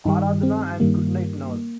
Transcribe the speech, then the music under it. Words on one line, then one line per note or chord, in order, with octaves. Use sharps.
Aaradhna and Goodnight Nurse.
G2 D#3 G3 D#4
C4
G2 D#3 G3 A#3